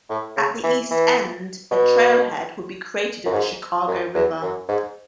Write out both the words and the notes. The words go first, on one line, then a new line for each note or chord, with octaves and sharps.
At the east end, a trailhead would be created at the Chicago River.
A2
C#3
E3
E3
B2
F#2
G#2
F#2
E2
F#2
G#2